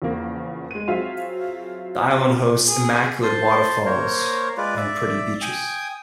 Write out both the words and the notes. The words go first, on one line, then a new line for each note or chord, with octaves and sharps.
The island hosts immaculate waterfalls, and pretty beaches.
E2 C#3 F3 A#3
G#3 D#7
F#3 C4 F4 G#4 E5 F5
G#4
C5 A5 C6
A#3 A#4 C5 C#5
G#3 F4 B4 D5
D5 E5
G5 G#5 D#6